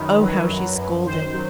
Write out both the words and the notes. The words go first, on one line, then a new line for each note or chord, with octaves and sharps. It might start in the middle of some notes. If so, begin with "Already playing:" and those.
Oh, how she scolded.
Already playing: F#2 D#3 B4
F#3
F#2
F#2
D#3 C5
F#3